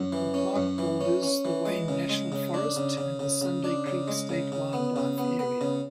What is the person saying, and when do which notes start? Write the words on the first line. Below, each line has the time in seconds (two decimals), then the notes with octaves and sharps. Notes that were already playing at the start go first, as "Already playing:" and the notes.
The park borders the Wayne National Forest and the Sunday Creek State Wildlife Area.
Already playing: F#2
0.13 E3
0.34 C#4
0.56 F#2
0.78 E3
1.01 C#4
1.23 C#4
1.45 E3
1.66 G#3
1.88 C#3
2.09 G#3
2.32 C#3
2.54 D4
2.76 C#3
2.97 C#3
3.19 C#3
3.41 C#3
3.64 D4
3.86 C#3
4.08 G#3
4.29 C#3
4.52 C#3
4.73 B3
4.96 C#3
5.18 B3
5.39 B3
5.61 C#3